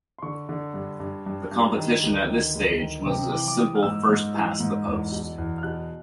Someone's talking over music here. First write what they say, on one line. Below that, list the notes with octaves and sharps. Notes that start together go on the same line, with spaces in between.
The competition at this stage was a simple first past the post.
C6
D3 C#6
D3
G2
G2
G2
G2
D#3
D2
D#3
D2
D#3
C3
E3 D6
D6
E3 D#6
F6
G#2 E6
G#2 F6
E3
G#2
E2
B2
E2
F6
B2 F#6